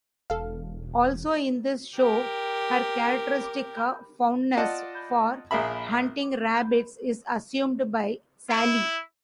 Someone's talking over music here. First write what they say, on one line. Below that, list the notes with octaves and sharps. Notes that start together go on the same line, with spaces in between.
Also in this show, her characteristic fondness for hunting rabbits is assumed by Sally.
E1 A4 F5
G4 A#4
F4 D5 D#5 F#5 A5
A#1 G#4 A#4 E5 B5
E4